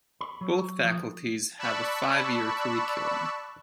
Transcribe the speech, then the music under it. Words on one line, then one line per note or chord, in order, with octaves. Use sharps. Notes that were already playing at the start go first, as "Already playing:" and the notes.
Both faculties have a five-year curriculum.
B5
F#3
F3
D5 A5 B5 C#6 E6 F#6